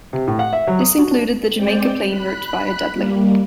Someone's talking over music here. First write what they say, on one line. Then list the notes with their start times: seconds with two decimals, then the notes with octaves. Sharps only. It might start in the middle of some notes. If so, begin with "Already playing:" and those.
This included the Jamaica Plain route via Dudley.
0.13 C3
0.27 A2
0.39 F#5
0.53 E5
0.67 F#3
0.80 D#6
0.98 F#4
1.11 D4
1.54 G#3 C4 D5 G5
2.08 B5 F#6
2.91 G3 A#3